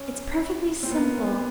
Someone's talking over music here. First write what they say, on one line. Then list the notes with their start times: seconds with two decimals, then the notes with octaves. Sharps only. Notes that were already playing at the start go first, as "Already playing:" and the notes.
It's perfectly simple.
Already playing: C#4
0.83 C4
0.91 B3
0.96 A#3
1.10 A#3
1.18 C4
1.23 B3